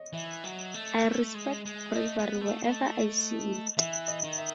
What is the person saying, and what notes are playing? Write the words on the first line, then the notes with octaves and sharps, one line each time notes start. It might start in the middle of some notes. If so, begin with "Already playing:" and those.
I respect bravery wherever I see it.
Already playing: C#5 D#5
E3 E5
F#3
A3
A3
G#3
G#3
A3 D#5
B3
A3
A3
E3 E5
D#5
D#3
E5